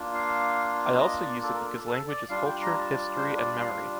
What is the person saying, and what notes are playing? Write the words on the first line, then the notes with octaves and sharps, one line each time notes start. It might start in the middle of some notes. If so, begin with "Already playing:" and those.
I also use it because language is culture, history and memory.
Already playing: A#3 D4 F4
F5
D#5
D5
A4
A#4
A4
A4
D5
G3 D4 F4 F5
G5
A#5
A5
D5
C5
D5
F5